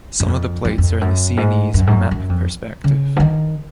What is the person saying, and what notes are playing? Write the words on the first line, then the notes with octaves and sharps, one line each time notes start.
Some of the plates are in the Siennese "map perspective".
F#2
F2
F2
F2
F#2
G#2
F#2
G#2
F#2
F#2
F2
C#3
F3
D#3